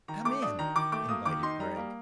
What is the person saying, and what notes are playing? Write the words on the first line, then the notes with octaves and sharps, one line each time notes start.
"Come in," invited Gregg.
D#3 A#5
A3 D6
D4 D#6
D#3 A#5
D#3 D6
A3 D6
A#3 D#6
D#3 D6
D#4 C6
G3 A#5
A#3